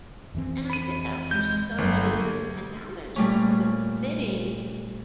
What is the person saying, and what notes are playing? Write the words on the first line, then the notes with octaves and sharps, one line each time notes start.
and I did that for so many years, and now they're just sort of sitting,
F2 E3 C4
B5 D#7
G#3 G6
G1 F#3
A#2 G3 A3 C#4